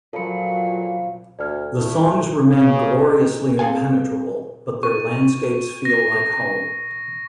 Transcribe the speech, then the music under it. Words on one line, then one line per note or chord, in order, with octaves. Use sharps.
The songs remain gloriously impenetrable, but their landscapes feel like home.
A#2 F3 F#3 A4 B5 C#7
D2 D5 F6 G#6
A3 E4
C#3
D#3
C4 G#4 A4 F5 G#5
C#6
A#6